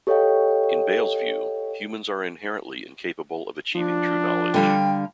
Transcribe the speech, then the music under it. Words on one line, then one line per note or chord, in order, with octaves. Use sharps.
In Bayle's view, humans are inherently incapable of achieving true knowledge.
G4 A4 C#5 D#5 F5 G5
F3 D4
D3 G3 F5 G5